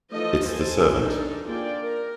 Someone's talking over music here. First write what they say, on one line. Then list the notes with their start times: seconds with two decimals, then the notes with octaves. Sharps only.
It's the servant.
0.12 E3 F3 A3 D#4 A4 D#5
0.43 A#3 A4 C5 G#5
0.96 D4 D#4 A4
1.47 A#3 D4 F4 G#4 D5 G5
1.81 A#4